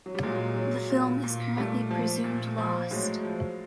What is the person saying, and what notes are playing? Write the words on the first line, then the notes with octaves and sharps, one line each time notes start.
The film is currently presumed lost.
F#3
G3
A#2 F#3 G#3
F#3
A#2
A#2
A#2 G3 A3
F3
A#2
F3
A2 F#3 G#3
F3